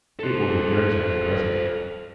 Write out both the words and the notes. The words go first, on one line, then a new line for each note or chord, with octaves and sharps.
"It will be your turn presently!"
A4 C5